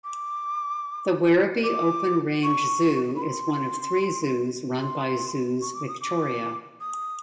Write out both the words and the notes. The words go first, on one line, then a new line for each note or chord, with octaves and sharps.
The Werribee Open Range Zoo is one of three zoos run by Zoos Victoria.
D6
D6
C#6
B5
C6
C6
C#6
D6
D#6
D6
D#6